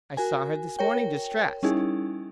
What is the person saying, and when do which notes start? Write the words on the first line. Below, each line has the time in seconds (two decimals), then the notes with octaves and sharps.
I saw her this morning distressed.
0.17 F#4 A#4 G#5
0.79 A#4 C#5 G5
1.63 G3 C#4 D#4 E4 G#4